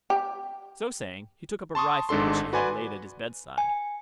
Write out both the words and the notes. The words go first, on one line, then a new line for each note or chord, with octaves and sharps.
So saying he took up a rifle which he had laid at his bedside.
G4
A5 C6 C#6 D#6
G#1 G#2 D4 A4 C6
F#4 B4 D5 G#5 C6
G#5